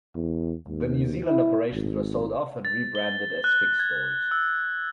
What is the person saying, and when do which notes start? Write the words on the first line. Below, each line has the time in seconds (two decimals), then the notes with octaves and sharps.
The New Zealand operations were sold off and rebranded as Fix stores.
0.15 E2
0.68 D#2
1.25 E4
1.73 G#1
2.65 A6
2.95 G7
3.44 F#6
3.79 G#6
4.31 E6